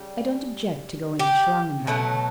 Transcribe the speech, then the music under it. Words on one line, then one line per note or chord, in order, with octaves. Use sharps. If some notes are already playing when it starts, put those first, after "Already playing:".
I don't object to going to Schlangenbad.
Already playing: C#3 G3
G4
B2 F#3 A3